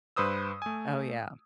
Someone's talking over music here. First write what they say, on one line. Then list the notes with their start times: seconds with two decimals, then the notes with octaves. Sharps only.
Oh, yeah.
0.16 G2 B4 C5 D#6 E6
0.62 A3 G#5